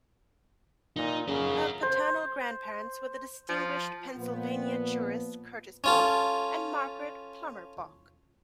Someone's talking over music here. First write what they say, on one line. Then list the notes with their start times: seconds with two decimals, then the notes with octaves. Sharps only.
Her paternal grandparents were the distinguished Pennsylvania jurist Curtis Bok, and Margaret Plummer Bok.
0.96 A#2 D#4
1.28 C#3 C#4 A#4
1.83 C5
3.49 F3
4.17 A#2 F3 B3
5.84 C#4 F4 A4